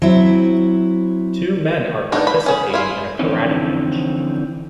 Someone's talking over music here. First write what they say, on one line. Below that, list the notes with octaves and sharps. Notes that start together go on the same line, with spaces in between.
Two men are participating in a karate match.
F#3 C4 E4
B3 D4 D#4
B5
C#4 G#4
E4 F4
D3 E3 F3 C4 C#4 D#4